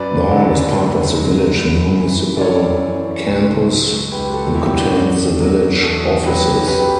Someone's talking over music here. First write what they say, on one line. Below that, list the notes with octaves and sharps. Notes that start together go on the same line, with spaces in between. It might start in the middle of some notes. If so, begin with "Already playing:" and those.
The hall is part of the village municipal campus, and contains the village offices.
Already playing: F#2 B4 D5
D3 F#3
F#2
D3 F#3
F#2
E3
D5
F#2 A4 C#5
E3
C#2
B2 F#3
C#2 G4 B4
F#4 A4
B2 F#3 E4 G4
D4 F#4
E2
B2 F#3
E2 F#4 A4
B2 F#3 G4 B4
F#2 G4 B4